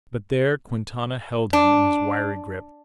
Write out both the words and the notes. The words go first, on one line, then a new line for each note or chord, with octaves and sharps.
But there Quintana held him in his wiry grip.
D4